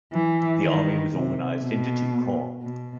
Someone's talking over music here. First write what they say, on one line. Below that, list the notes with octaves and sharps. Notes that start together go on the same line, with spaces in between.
The army was organized into two corps.
E3
D#3
C3
B2
B2